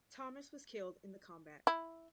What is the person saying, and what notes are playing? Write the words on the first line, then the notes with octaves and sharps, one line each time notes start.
Thomas was killed in the combat.
E4